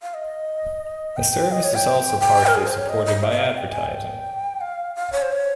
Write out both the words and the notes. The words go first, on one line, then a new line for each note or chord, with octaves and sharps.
The service is also partially supported by advertising.
F5
D#5
G5
D#5
C#5
G5
G5
A#4
G#4
C5
C#5
D#5
D#5
F5
D#5
F5
G5
G#5
G5
F5
F5
C#5
C5
C#5